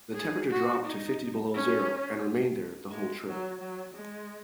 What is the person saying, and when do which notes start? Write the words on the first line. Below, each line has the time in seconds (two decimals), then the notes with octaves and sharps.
The temperature dropped to fifty below zero and remained there the whole trip.
0.15 G#4
0.51 F#4
0.85 D#4
1.54 C#4
2.91 G#3
3.27 F#3
3.61 F#3
3.95 G#3